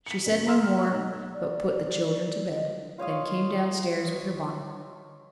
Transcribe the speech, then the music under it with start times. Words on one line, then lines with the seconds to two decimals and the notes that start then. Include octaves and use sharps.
She said no more; but put the children to bed; then came downstairs with her bonnet on.
0.06 B6 C#7
0.26 F#1
0.47 A#5 C6 E6 F6 E7
0.63 F6
0.91 B1
1.34 D5
2.48 D#5
2.98 F4 C#5 D#5 F5